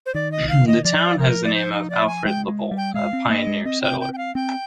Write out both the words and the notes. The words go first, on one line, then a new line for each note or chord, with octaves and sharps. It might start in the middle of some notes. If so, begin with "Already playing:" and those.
The town has the name of Alfred Labolt, a pioneer settler.
C5
D#3 D5
D#5
F5
D#5
F3 D5
A#4
D5
C5
D#4
D5
G#5
G#3 G5
G#3
G3
G5
G#3 F5
C4
A#3 D#5
G#3
C4 D#5
G5
G5
G5
F5
C4 G5